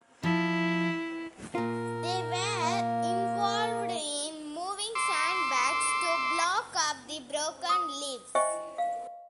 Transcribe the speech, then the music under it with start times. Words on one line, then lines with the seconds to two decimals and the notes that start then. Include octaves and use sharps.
They were involved in moving sand bags to block up the broken levees.
0.23 F3 E4
1.55 A#2 F4 A#4
2.62 A#3
4.95 C6 D6 E6
7.69 D#6
8.35 C5 D#5 E5 G5 G#5 C#6
8.78 F5